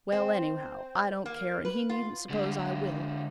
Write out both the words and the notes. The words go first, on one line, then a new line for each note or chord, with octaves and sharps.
Well, anyhow, I don't care, and he needn't suppose I will.
C4
A#3
B4
F4
D3 G#3